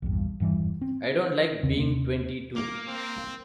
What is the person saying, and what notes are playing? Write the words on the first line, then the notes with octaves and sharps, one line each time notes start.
I don't like being twenty-two.
A#1 E2 G2
E1 G2 E3 G3
C4
E2 C#3 C4
D#2 C3 A#3 C#4
A#3 D6
C4